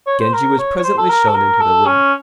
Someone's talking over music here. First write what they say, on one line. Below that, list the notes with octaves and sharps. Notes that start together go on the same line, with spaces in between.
Genji was presently shown into the room.
C#5
C5
A#4
C#5
C#5
C5
A4
A#4
A4
A#4
A4
C#4